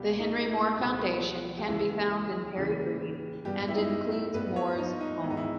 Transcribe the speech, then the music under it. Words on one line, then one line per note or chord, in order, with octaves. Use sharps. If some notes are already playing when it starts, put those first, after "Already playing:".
The Henry Moore Foundation can be found in Perry Green, and includes Moore's home.
Already playing: C#2 B2 G3 G4
D#4
E4
C#2 B2 G3 G4
G4
D#2 C#3 E3 E4
D#2 C#3 E3
G2 G3 B3 G4
E4
D#4
E4
D#4
E4
G2 G3 B3 B4
C#5
D#4
D#4
G#2 E3 G#3 B3 E4
D#4
E4